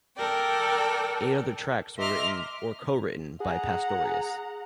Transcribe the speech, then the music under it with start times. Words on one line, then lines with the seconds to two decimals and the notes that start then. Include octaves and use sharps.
Eight other tracks were written or co-written by Pastorius.
0.17 A4 A#4 D5 G5
1.97 D#5 E5 A#5 C6 D6 F6
3.40 G#4 F#5 A#5